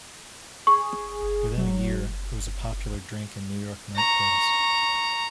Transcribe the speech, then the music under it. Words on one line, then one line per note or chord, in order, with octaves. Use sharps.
Within a year, it was a popular drink in New York night clubs.
G#4 C#6
F#3
A#5 C#6